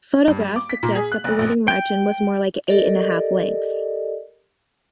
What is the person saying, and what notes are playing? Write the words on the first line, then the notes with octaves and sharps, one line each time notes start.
Photographs suggest that the winning margin was more like eight and a half lengths.
G2
G3
D6
B6
A#2
G#4
F#6
F#1
A#1
G5
G4 A4 A#4 D5 D#5